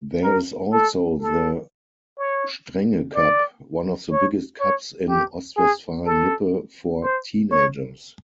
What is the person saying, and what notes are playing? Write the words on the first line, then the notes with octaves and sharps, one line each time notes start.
There is also the Strenge-Cup, one of the biggest cups in Ostwestfalen-Lippe for teenagers.
A#4
A4
A4
C#5
D5
C#5
C#5
G4
G#4
A4
C5
C#5